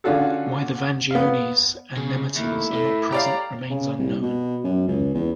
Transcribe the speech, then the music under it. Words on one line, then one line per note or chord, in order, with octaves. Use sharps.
Why the Vangiones and Nemetes are not present remains unknown.
D3 C#4 D4 F4 F#4 A4
B3 F5
C#3 G#4
D#2 A3 E4
A2 A4
G4 C#5 D5 F5 A#5
C#3
C2
B2
F#2
C#2
E2